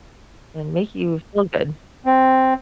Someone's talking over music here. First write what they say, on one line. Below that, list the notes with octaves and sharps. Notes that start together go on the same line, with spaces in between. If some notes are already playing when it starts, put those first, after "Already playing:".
and make you feel good.
C4